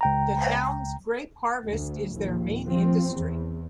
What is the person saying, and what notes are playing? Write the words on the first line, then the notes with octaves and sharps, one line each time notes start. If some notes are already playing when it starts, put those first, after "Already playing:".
The towns "Grape Harvest" is their main industry.
C#2 G5 A#5
D2
A#1 D#2
F3 C4
E2